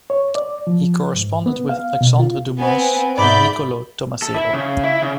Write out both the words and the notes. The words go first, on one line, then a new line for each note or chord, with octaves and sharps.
He corresponded with Alexandre Dumas and Niccolo Tommaseo.
C#5
D5
F3
G#2
B3
F5
B2
F4
B3 C4 G#5
G#2 D5 E5 B5 G6
A4
E4
C#3
E4
C#3